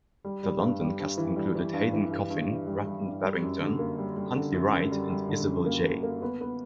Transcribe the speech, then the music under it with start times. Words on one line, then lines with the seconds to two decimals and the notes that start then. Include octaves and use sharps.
The London cast included Hayden Coffin, Rutland Barrington, Huntley Wright and Isabel Jay.
0.24 G3
0.43 G3
0.62 G2
0.80 G3
1.00 G2
1.18 E3
1.36 G3
1.55 E3
1.73 G2
1.93 E3
2.11 G2
2.30 G2
2.49 E3
2.67 G3
2.86 G3
3.05 G2
3.23 G3
3.42 F#2
3.60 D3
3.79 A#3
3.98 G3
4.17 G3
4.35 D3
4.53 F#2
4.72 F#2
4.91 G3
5.10 G3
5.29 D3
5.47 F#2
5.66 A#3
5.84 A#3
6.03 A#3
6.22 B3
6.41 B3